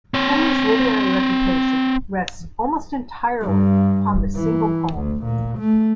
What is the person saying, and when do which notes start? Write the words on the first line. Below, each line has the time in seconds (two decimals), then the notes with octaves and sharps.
Henley's literary reputation rests almost entirely upon this single poem.
0.14 C4 C#5
3.41 G2
4.36 E3
4.94 D2
5.24 A#2
5.58 A3